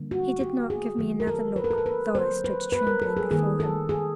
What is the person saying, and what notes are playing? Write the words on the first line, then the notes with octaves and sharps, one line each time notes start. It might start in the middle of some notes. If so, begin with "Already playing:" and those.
He did not give me another look, though I stood trembling before him.
Already playing: D3 G3 A#3
F#4
G4
G#4
D#3 F#3 A#3
A#4
A4
B4
A#4
A4
A#4
B4
D3 F#3 A#3 C5
B4
B4
A#4
A4
G#4
D#3 G3 A#3 G#4
A4
G#4